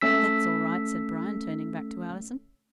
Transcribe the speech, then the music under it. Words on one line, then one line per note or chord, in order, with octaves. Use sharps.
"That's all right," said Bryan, turning back to Allison.
A3 C#4 E6 B6